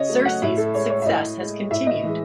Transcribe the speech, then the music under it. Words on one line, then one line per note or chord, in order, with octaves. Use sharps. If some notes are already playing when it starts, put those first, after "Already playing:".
"Serse"'s success has continued.
Already playing: C#3 C#5 D#5
F#3 A3
F#5
A2 E5
A4
G#3 C#5
C#5
E5
A2 D#5
G#3
A2 E5
D#5
E3 G#3